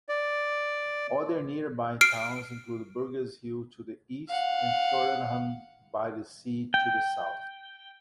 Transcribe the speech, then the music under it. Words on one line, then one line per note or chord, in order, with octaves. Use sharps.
Other nearby towns include Burgess Hill to the east and Shoreham-by-Sea to the south.
D5
F6 C7 D7
F5 F#5
G5